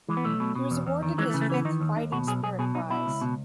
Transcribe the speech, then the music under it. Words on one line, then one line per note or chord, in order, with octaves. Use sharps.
He was awarded his fifth Fighting Spirit prize.
E3 G#3
B3
B1 A3
B2
B2
E2
E2
D#3
E3 G#3
A3
C#3
A3
E3 B3
D#3 D#4
D#2
D#2 D#4
B2 F#4
B1 G#4
B1 G#4
B2 G#4
B1 D#4
B2 E4
C#2
B2